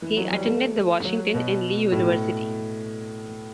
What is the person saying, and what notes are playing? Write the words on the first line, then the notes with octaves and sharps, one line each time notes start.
He attended the Washington and Lee University.
E3
F#3
G3
A3
F#3
B2
A2